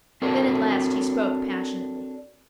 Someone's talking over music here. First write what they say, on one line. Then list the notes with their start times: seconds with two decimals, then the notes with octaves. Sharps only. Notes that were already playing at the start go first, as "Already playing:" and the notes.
Then at last he spoke passionately.
0.22 C4 D4 F#4 A4 A#4 C#5